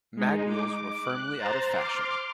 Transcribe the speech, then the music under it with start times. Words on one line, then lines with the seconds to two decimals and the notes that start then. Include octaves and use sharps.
Mag wheels were firmly out of fashion.
0.16 G#3 D#4
0.47 D6
1.03 F#6
1.38 C5 A#5 A6
1.74 C6 D6 F6